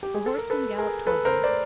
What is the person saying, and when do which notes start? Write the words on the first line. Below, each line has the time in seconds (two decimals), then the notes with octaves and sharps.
A horseman galloped toward them.
0.03 G4
0.14 G#4
0.26 A4
0.38 A#4
0.50 A4 B4
0.78 G#4 A#4
1.07 A4 B4
1.25 A#4 C5
1.44 C5 D5